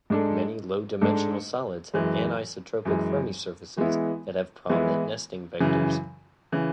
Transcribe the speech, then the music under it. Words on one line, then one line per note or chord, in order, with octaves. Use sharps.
Many low-dimensional solids have anisotropic Fermi surfaces that have prominent nesting vectors.
G#2 G#3 D4 A4
G#2 G#3 D4 A4
F#2 E3 G#3
F#2 E3 G#3
E3 G#3 B3 E4
E3 G#3 B3 E4
F#2 C#3 E3
C#3 E3